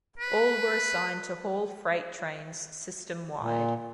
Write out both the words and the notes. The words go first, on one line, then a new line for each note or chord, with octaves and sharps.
All were assigned to haul freight trains system wide.
B4
A#2